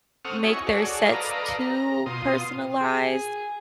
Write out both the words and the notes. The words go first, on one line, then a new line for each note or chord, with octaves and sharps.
make their sets too personalized,
C4 A4 F#5 C#6 D#6 F6
E4 F#4 C#5 D#5 G#5 C#6
F#4 G#4 A4 C#5 D5
A4 B4 D5 D#5 F5 A#5
A#5
B2 F4 C6 D#6
G#4